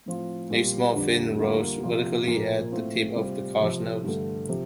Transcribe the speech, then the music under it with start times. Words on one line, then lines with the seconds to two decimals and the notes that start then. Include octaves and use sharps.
A small fin rose vertically at the tip of the car's nose.
0.06 A2 F3 C4 F4
0.50 A#2 G3 C4 F4
0.94 F2 D3 G3 A#3 D4
1.38 D3 G3 A#3 D4 F4
1.83 C3 F3 A#3 F4
2.27 A#2 F3 A#3
2.72 A2 A3 C4 F4
3.15 C3 G3 C4 F4
3.60 C3 F3 C4
4.04 G2 D3 A3
4.49 C3 F3